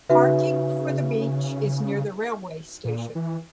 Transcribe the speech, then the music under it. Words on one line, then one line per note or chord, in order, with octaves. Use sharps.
Parking for the beach is near the railway station.
C#3 D#4 F#4 B4 E5
A#2
E3